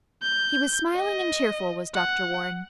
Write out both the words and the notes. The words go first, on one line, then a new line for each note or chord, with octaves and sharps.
He was smiling and cheerful, was Dr. Warren.
G6
D#5
F#5